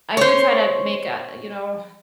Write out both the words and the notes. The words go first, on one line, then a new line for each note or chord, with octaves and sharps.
I do try to make, uh, you know,
C5 C#5